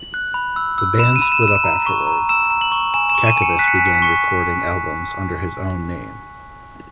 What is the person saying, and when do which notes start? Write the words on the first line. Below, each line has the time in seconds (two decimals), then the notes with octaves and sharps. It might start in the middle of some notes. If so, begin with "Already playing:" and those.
The band split up afterwards; Cacavas began recording albums under his own name.
Already playing: F#7
0.14 F#6
0.34 B5
0.56 E6
0.78 E6
0.99 B5 E7
1.16 D#7
1.22 B5
1.32 E7
1.43 E6
1.48 E7
1.64 A#5
1.86 C#6
2.07 A#5
2.29 E6 E7
2.50 A#5
2.61 F#7
2.72 C#6
2.94 G#5 E7
3.10 E7
3.15 C#6
3.27 D#7
3.36 G#5
3.42 C#7
3.59 F#6 B6
3.68 C#7
3.77 G#5 B6
3.86 C#7
3.95 B6
4.02 C#6 C#7